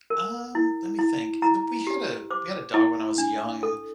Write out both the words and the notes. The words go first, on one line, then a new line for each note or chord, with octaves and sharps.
Um, let me think. Uh, the we had a we had a dog when I was young
A#4
E4
E4
E4 A#5
G4
C5 D6
E4
D4
A4